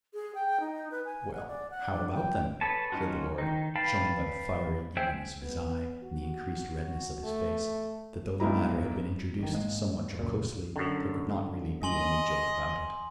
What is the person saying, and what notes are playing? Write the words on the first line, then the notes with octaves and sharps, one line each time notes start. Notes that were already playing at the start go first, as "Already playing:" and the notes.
"Well;--how about them?" said the lord, showing by the fiery eagerness of his eye, and the increased redness of his face, that though the matter had been introduced somewhat jocosely, there could not really be any joke about it.
G#4
G5
D#4
B4
G#5
F#5
D5
F#5
D4
G5
G#4 A4 B4 C#5 A5
F#3 C#4 D#4 F4 F#4
D#3 D#4
B4 F5 G5 A5 B5
G#4 C5 E5 G5
B3
F#4
A3
B1 G#2 D#4 E4 A#5
A1 D#3
G#2 G#3 A#3
C#2 F#2 A#2
F#2 D3
D#5 G#5 C6 F#7